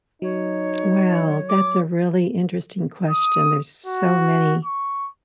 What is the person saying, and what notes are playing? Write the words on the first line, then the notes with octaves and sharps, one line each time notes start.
Well, that's a really interesting question, there's so many.
F#3 D#4 C#5
D6
D#6
F#4
C#6